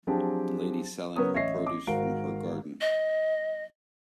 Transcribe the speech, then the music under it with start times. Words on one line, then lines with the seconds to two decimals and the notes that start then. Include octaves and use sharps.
A lady selling her produce from her garden.
0.07 F3 F#3 C4 D4 G4 G#4
1.16 C#3 F#3 B3 A#4 C#5 D#6
1.34 A1 C#5 D#5 E5 A#6 C7
1.67 D6
1.87 G#1 G#2 F#4 A#4 F5 D7
2.80 D#5